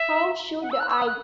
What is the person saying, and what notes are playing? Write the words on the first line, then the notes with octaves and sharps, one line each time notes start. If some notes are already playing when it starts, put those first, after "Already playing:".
How should I?
Already playing: E5
F#5
E6
F#6
E6
D#6
F#6